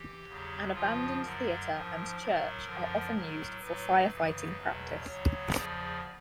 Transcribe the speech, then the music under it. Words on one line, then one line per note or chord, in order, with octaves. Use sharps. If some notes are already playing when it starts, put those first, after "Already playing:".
An abandoned theater and church are often used for firefighting practice.
Already playing: E3 G4
E2 C#3 F#3
F2 C#3 F3 F4
F#2 D3 F#3 A#4
G#2 F3
A2 F#3 A#4
F#2 D3 F3
A2 F#3
A2 F#3 B4
F#2 C#3 E3
E2 B2 F#3
D2 C#3 F#3 C#5
E2 C#3 F3 D5